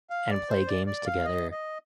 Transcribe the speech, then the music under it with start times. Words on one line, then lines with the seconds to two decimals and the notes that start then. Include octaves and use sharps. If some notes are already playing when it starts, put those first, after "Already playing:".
and play games together,
0.10 F5
0.30 D5
0.49 C5
0.67 D5
0.87 D5
1.06 F5
1.25 D#5
1.51 D#5